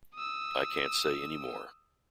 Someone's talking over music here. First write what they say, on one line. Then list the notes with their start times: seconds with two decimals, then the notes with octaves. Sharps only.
I can't say anymore.
0.15 D#6 E6